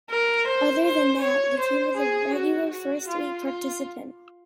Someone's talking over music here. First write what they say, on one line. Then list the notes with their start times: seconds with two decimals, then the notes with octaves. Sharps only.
Other than that, the team is a regular first league participant.
0.10 A#4
0.47 C5
0.85 C5
1.22 C#5
1.59 C5
1.96 G#4
2.34 F#4
2.70 F#4
3.08 F4
3.45 F4